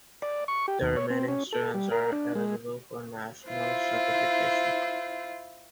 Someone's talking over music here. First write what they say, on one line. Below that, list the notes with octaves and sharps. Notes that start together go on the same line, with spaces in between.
The remaining students are eligible for national certification.
D5
C#6
G4
D#2
C#5
C4
C#4
A4
G3
A#4
D4
G#3
E4 F4 C5